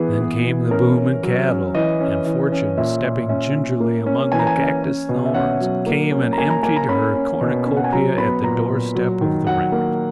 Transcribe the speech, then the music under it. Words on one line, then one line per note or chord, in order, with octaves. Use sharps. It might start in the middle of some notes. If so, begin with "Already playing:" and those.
Then came the boom in cattle, and Fortune, stepping gingerly among the cactus thorns, came and emptied her cornucopia at the doorstep of the ranch.
Already playing: E3 B3 G#4
B3
E3
C#4 A#4
C#4
F#3
C#4
E3 D#5
C#4
E3
C#4
A#2 E5
A#2
C#4 E5
C#4
A#3
C#4
E3 G#5
A#5
G#5
C#4
C#4
B2
E5
C#4 F#5
F#3
A#3
C#4
A#5
A#3 G#5
A#5
A#3 G#5
A#5
C#4 B5
C#4
B2
C#4
F#5
G#5
F#3 A#5
B3 B5
A#2 A#5
A#2
F#3
D#3
F#3 F#5
A#3